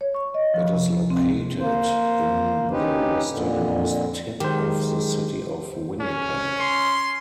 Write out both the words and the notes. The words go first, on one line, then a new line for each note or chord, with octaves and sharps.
It is located in the westernmost tip of the City of Winnipeg.
C#5
C#6
D#5
F3
C3
D2
C4
A#3 C5
C#4 D#4 G4 B4
F2 A#2 D3
D#3 F#3 G#3 G4 C5
C#4
C6